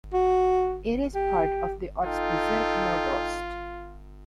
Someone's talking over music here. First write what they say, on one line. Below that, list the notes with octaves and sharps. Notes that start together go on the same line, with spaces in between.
It is part of the "Ortsbezirk Nord-Ost".
F#4
G4
D#4 F4 A4 G5